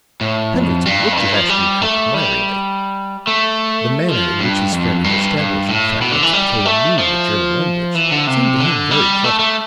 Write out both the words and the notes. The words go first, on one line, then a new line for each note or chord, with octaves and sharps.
Pendleton looked at Ashton-Kirk admiringly; the manner in which his friend had established the fact that Spatola knew the German language seemed to him very clever.
A2
F2
G2
F2
G2
F3
G3
A3
G3
A3
F3
G2
F2
G2
G2
A2
B2
D3
E3
G3
A3
F3
E3
D3
C3
D3
G3
A3
A3